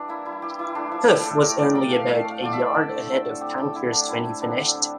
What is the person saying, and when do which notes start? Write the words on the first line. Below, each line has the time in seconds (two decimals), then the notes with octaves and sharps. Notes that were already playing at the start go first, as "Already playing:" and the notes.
Huff was only about a yard ahead of Pankhurst when he finished.
Already playing: E3 G3 D4 G4
0.08 A#3 E4
0.25 G3 E4
0.42 E3 G4
0.59 E3 E4
0.75 A3 D4
0.91 F3 E4
1.08 A2 G4
1.25 A2 A4
1.42 A3 A#4
1.58 F3 D5
1.75 A2 G5
1.92 A2 F5
2.08 C4 F5
2.25 A3
2.31 F5
2.42 D3 D5
2.53 E5
2.59 D3
2.75 C4 A4
2.92 A3
3.09 D3
3.25 D3
3.41 C4 G4
3.58 A3 G4
3.75 D3 E4
3.92 D3 D4
4.08 C4 E4
4.24 A3
4.41 D3 D4
4.58 D3
4.74 C4